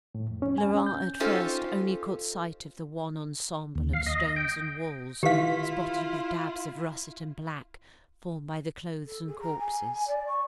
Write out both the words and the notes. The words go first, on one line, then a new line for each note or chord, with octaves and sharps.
Laurent at first only caught sight of the wan ensemble of stones and walls, spotted with dabs of russet and black formed by the clothes and corpses.
A2
F2
C#4
G#5
C#4
G6
C#4 D#4 F4 G4 A4 C5
D#2
F5
D#5
G5
D#3 E3 E4 F4 G4 F5 B6
A4
G#4
A#5
G#5
D5
C#6